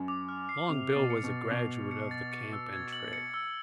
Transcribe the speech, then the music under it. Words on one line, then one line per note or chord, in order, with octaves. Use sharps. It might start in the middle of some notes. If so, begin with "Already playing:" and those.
Long Bill was a graduate of the camp and trail.
Already playing: F#2
D6
F6
C7
C3 F7
A6
B2
C#7
B2
A6
B2 F7
A6
C#7
A6
C#7
E6
G#6
F#7
C#7
E6